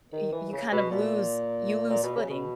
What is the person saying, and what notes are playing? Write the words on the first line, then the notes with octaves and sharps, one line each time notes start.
y you kind of lose you lose footing.
D#3
E3
C#3
B2
A#2
A#2
B2
C#3
B2